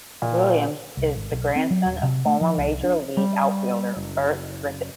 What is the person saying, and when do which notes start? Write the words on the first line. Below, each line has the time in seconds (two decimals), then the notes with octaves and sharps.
Williams is the grandson of former major league outfielder Bert Griffith.
0.22 A#2
0.97 C2
1.15 G#1
1.32 B1
1.56 C4
1.71 F#3
1.85 D#1
2.03 C3
2.26 A3
2.41 F3
2.58 C2
2.83 D4
3.17 G3
3.97 F#1